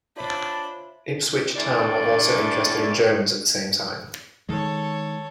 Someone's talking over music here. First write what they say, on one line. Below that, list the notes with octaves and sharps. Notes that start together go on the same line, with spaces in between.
Ipswich Town were also interested in Jones at the same time.
D4 F4 C5 C#5 E5 B5
E2 A2 D3 E3 D4 D5
D#3 G#3 A4 C#5